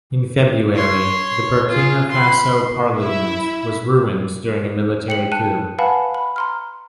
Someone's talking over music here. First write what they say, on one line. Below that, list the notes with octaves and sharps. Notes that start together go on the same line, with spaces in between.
In February the Burkina Faso parliament was ruined during a military coup.
C#5 C6
F4 G#4
B5 C6
E4 E5
G5 C#7 F#7
G5 A5 F#6 C#7 D#7 E7
B4 F5 F#5 G#5 A5 B5
B5
A#5 C6 F6